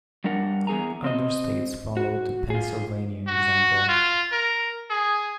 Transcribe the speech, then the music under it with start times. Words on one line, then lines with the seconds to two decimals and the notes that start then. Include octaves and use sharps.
Other states followed the Pennsylvania example.
0.24 G2 G3 D4 A#4 F#5
0.67 E2 F3 G#4 G#5 A#5
1.04 C4 D#5
1.97 F#4
2.50 F4 G#4
3.27 F#4
3.88 F4
4.32 A#4
4.90 G#4